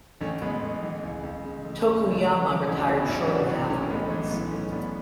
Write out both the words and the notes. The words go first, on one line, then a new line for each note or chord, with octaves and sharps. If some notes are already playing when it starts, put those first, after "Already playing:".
Tokuyama retired shortly afterwards.
A1 A3 C#4
A1 G#3 B3
A2
E3
C#2
C#2
C#3 G#3
E3 A3
A3
C#2 G#3
G#3
C#2
A3
C#3
E3
A1 C#4 E4
D4 F#4
A1 C#4 E4
B3 D4
G#2 C#4 E4
E4 G#4
E3
D4 F#4
B1 B3 D4
B1 A3 C#4
A2 G#3 B3
A3
E3
A3
B1 G#3 B3
B1 A3 C#4
A2 B3 D4